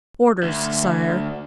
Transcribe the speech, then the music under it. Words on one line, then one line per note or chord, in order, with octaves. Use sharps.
"Orders, Sire."
D2